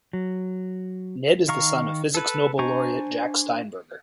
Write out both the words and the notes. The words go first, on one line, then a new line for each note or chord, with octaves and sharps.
Ned is the son of physics Nobel laureate Jack Steinberger.
F#3
D#3 F5 A#5 C#6
A4 B4
D4 C5 G#5 A#5 C#6